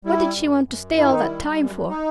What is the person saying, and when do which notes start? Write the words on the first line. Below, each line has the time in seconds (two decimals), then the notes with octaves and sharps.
What did she want to stay all that time for?
0.05 G3 E4
0.36 F#2
0.66 F#2
0.97 D#3 E4
1.10 D#4
1.23 G3 E4
1.59 F#2
1.89 D#4